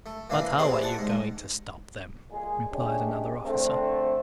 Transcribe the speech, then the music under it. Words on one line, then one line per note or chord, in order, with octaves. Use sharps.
"But how are you going to stop them?" replied another officer.
A3
E3 A#3 D4 B4
C3 C4 G#4 B4 D5 C6
D5 F#5 A5
G#2
A#2 G#3 G#4
C3 G#3 C#4 D4 G4 G#4
E2 D3 A3 C4